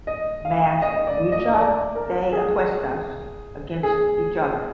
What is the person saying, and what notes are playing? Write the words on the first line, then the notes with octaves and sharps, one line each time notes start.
Mask "Lucha de Apuestas" against each other.
D#5
F5
D#5
D5
D#5
D5
A#4
G#4
G#4